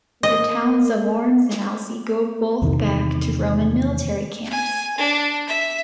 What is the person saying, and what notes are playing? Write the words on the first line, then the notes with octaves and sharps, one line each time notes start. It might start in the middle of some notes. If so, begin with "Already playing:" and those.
The towns of Worms and Alzey go both back to Roman military camps.
A#3 D#5
E2 C3 D#3
G#5
D4
E5